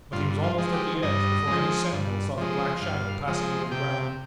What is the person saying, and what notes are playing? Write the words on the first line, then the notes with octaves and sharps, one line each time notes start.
But he was almost at the edge before any sentinel saw the black shadow passing over the ground.
G2 F4
F4
F3 G#3
G4
G2 D#5
F3 G#3
G2
F3 G#3
G2 F5
F3 G#3
C3 G5